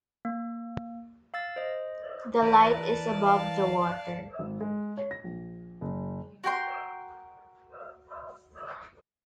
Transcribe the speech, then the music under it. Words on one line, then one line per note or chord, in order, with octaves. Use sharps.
The light is above the water.
A#3
F5 E6 A6
C5 D#5
E3 A#4 B4 D5 A5
F5
G#1
G#3
C#5
A#6
A#1
F#1
F#4 A#4 G5 C6